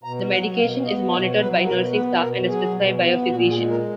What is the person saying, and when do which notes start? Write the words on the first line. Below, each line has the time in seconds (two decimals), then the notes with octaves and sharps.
The medication is monitored by nursing staff and is prescribed by a physician.
0.04 B2 A#5
0.30 F#3 F#5
0.58 B2 F5
0.85 B3 D#5
1.12 B2 C#5
1.40 F#3 B4
1.66 B2 A#4
1.93 B3 B4
2.21 B2 A#4
2.48 F#3 G#4
2.75 B2
3.01 B3
3.29 A#2 F#4
3.49 G#4
3.57 G#3
3.70 A#4